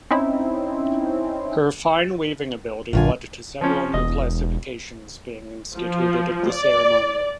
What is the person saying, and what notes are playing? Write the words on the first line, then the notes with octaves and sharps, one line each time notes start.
Her fine weaving ability led to several new classifications being instituted at the ceremonial.
C4 C#4 D#4 E4
A#1 F#2 D3 F4 G#5
F3 C#4
E1 D#5
F3
D5